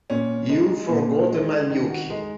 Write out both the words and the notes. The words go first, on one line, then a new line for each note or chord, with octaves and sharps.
You've forgotten my milk.
A#2 C#4
G#3 D#4
A#2
G#3
D#3
F#4
G#3 D#4